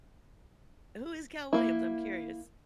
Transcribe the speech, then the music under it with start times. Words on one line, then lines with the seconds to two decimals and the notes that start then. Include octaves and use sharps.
who is Cal Williams, I'm curious?
1.53 A#3 E4